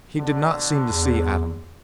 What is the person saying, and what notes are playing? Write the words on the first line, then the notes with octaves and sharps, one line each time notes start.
He did not seem to see Adam.
B2 D3
E2